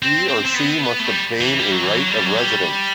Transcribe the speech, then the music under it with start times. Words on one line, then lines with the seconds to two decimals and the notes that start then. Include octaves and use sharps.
He or she must obtain a right of residence.
0.03 C4
0.28 C4
0.45 C4
0.54 B3
0.99 A3
1.07 G3
1.41 E3
1.59 G3
1.71 F#3
1.84 E3
1.98 F#3
2.11 G3
2.25 F#3
2.37 G3